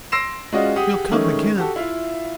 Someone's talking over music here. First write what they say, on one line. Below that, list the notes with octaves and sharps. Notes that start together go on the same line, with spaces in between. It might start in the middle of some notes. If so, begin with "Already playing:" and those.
"You'll come again?"
C6 E6 A#6 C7 D7 E7
G#3 C#4 F4 F#4 D5 D#5
G4 G#4 F#5 D#6
D#3 G#3 A3 C#4
F#4 G4 A4
E4 F4 E5 F5